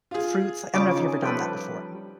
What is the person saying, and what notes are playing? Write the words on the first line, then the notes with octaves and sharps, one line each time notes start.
fruits li I don't know if you've ever done that before.
F4 G#4
C#3 C#4 F4 D6
D#4
F3 G3 A4 B4 G5